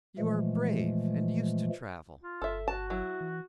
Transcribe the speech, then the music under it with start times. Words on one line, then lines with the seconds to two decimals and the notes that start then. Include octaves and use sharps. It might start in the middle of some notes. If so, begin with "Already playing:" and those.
You are brave and used to travel.
0.18 A#2 E3 F3 G#3 A3
2.23 F4
2.42 G1 A4 E5
2.68 F#4 A5
2.90 F#3 E4
3.21 E3